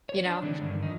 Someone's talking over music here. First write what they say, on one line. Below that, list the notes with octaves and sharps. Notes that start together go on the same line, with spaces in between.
you know
C#5
D4
D3 E3 G#3 C4 D4 D#4
G2 D3 D#3
F2 D#3 D#4